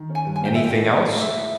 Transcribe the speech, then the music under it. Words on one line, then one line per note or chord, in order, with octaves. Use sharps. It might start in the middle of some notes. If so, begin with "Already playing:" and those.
"Anything else?"
Already playing: D#3
C#4
G#5
G2
G#5
A#3 G5
D#4 E5
G5
B4
G#3
G#4
G#3 E5
E4